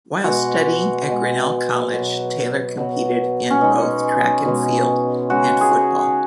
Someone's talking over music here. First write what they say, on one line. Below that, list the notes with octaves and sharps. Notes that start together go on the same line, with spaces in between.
While studying at Grinnell College Taylor competed in both track and field and football.
B2 G#3 F#4
B2 G#3
B2 F#3
B2 F#3
C#4
B2 G#3 D#4
B2 G#3
C#3 G#3 F#4
G#4
F#4